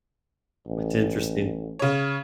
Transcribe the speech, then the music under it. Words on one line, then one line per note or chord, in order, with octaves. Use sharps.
It's interesting.
A1
C#3 C#5